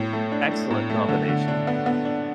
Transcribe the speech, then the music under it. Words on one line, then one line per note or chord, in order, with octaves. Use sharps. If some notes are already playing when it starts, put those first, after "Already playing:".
Uh, d excellent combination.
Already playing: A2
A3
D4
A3
A2
A3
D3
D3
D4
B3
B3
D4